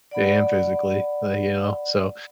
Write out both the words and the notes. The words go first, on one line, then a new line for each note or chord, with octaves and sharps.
and physically, like, you know, so,
D5 F#5 B5